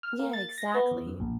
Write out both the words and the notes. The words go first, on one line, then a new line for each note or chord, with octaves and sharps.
Yeah, exactly.
F6
A#3
A6
A#6
B3
E2
F#2
A#1